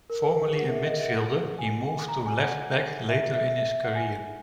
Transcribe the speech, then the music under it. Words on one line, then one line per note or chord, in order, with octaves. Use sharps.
Formerly a midfielder, he moved to left back later in his career.
A#4
B4
A#4
G#4
F#5
E5
D#5
E5
F#5
G#5
G#5
A#5
G#5
F#5
E5
E5
E5
E5
F#5
G#5